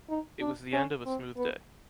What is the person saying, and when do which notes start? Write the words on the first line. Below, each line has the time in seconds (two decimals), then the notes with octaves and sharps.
It was the end of a smooth day.
0.09 D#4
0.41 D4
0.73 C#4
1.06 C4
1.37 B3